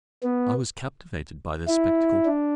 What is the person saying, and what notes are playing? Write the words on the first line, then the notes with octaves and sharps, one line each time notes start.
I was captivated by this spectacle.
B3
E4
D4